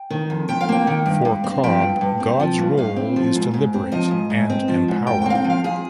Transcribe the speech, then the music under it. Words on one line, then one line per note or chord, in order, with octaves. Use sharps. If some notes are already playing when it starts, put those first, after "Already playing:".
For Cobb, God's role is to liberate and empower.
Already playing: G5
D#3
F2
F2 G5
F5
A#3 G5
D#3
G2
G2
C4
F3 G5
G2
G2
C4
F3
G2
G2 F5
C4
F3
G#2
G#2
C4
F3 D#5
G#2
G#2
C4
F3
G#2
G#2 G5
G5
C4 F5
G5
F3
F5
F2 G#4